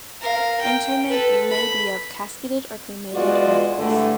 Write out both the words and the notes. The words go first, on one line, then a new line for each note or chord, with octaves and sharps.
Interment may be of casketed or cremated remains.
A#4 F5
G5
A4 B4
B5
E2 G#3 F4 F#4 B4 D5
G2 D3 E3 A3